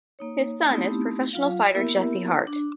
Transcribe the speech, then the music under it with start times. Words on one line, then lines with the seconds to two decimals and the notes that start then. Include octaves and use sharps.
His son is professional fighter Jesse Hart.
0.19 A#3 D#4 C#5
0.69 A3 B3 C4 D#4 E4 G4
1.33 F#3 F4 F5
1.74 A#3 B3 E4 G4 A#4 E5
2.47 D4